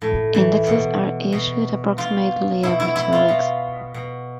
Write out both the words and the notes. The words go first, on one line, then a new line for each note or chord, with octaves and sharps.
Indexes are issued approximately every two weeks.
A2
E3
B2
B2
B2 F4
B2 E4
E4
E4
F4
B2
B2